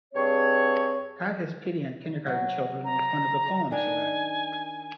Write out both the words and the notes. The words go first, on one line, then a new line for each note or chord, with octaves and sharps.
"God has pity on kindergarten children" was one of the poems he read.
G2 C4 G#4 C#5
F#3 F#4
A#5
D#3 D4 D#4 G#5